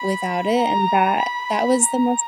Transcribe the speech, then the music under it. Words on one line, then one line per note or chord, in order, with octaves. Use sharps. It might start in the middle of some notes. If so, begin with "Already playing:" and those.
without it, and that that was the most
Already playing: B5
A#5
B5
A#5